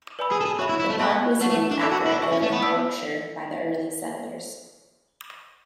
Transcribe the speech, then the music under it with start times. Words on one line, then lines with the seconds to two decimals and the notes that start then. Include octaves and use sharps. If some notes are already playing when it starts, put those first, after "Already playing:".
The park was named after a hill in Yorkshire by the early settlers.
0.19 B4 D5 G#5 B5 E6
0.32 G#4
0.41 A4
0.45 G#4
0.59 F#4 C#5 E5 B5
0.69 E4
0.80 E4
0.90 A3
1.00 B3 E5 A5 C#6 F#6
1.41 A3 B4 F#5 C#6
1.51 A3
1.71 D4
1.81 E4 A4 D5 A5 D6 F#6
1.92 F#4
2.06 E4
2.12 D4
2.22 E5 G#5 C#6
2.32 C#4
2.42 A3
2.52 B3
2.63 D5 F#5 A5 E6